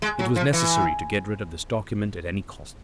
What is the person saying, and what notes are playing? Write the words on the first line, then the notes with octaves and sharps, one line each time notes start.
It was necessary to get rid of this document at any cost.
G#3
F#3
F3
E3